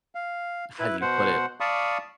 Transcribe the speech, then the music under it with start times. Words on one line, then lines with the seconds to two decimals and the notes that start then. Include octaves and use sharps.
how do you put it?
0.15 F5
0.79 E4 B4
1.02 B2 C5 F#5
1.60 D5 F5 A5 B5 C#6 D#6